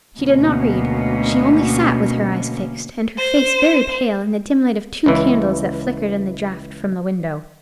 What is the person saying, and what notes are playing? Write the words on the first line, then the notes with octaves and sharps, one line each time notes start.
She did not read; she only sat with her eyes fixed, and her face very pale, in the dim light of two candles that flickered in the draught from the window.
D2 B2 A#3 C#4
C5
C#2 E3